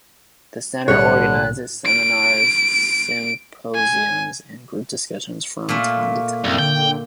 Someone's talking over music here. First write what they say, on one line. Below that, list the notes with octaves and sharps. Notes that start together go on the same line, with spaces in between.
The center organizes seminars, symposiums and group discussions from time to time.
B1 A2 D3 G3 D4 C#5 F#6
D7
G#5
A#2 A3
C2 F#2
D3 G5